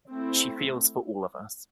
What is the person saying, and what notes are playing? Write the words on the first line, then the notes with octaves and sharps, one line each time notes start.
She feels for all of us.
A3 C4 E4